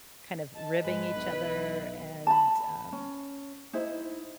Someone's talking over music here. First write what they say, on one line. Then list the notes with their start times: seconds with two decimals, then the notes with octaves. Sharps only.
kind of ribbing each other and, um,
0.54 D#5 A5
0.83 G#2 G#3 B4
1.15 B1 F#3 B3 E4
2.27 A5 B5
2.92 C#4
3.73 D#4 E4 C5